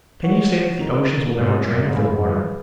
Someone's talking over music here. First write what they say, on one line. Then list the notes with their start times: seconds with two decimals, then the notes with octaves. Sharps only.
Can you say that the oceans will never drain of their water?
0.24 C#5 F#5 C#6
0.80 D#4 A#4 D#5 A#5
1.38 G#2 F#4 A#4 C#5 G#5
1.61 G#2
1.67 F#2
1.86 G#2
1.95 F#2 G#4 B4 F5 G#5 B5
2.10 F2
2.24 F#2